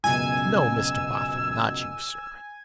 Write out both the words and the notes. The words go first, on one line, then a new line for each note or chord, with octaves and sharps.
'No, Mr Boffin, not you sir.
C#2 F#2 B2 G#5 E6